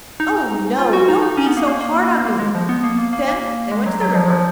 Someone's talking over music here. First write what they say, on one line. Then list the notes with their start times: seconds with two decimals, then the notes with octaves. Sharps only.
'Oh, no! Don't be so hard on me!' Then they went to the river.
0.20 D#4
0.78 F4
0.93 F#4
1.09 D#4
1.22 D#4
1.37 C#4
1.47 B3
1.57 A#3
1.67 A#3
1.81 A#3
2.25 A#3
2.39 G#3
2.55 F3
2.69 B3
2.84 A#3
2.98 A#3
3.13 A#3
3.28 A#3
3.72 G#3
3.86 F#3
4.01 F#3
4.15 F3
4.30 F3